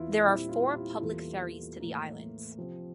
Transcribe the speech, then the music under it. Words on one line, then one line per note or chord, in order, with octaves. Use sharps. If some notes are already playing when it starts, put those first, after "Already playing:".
There are four public ferries to the islands.
Already playing: E2 E3 E4 F4
A#2 G3 C4 E4
F4
E4 G4
E2 E3 G3 A#3 F4 A4
A2 E3 A#3
C3 F3 C4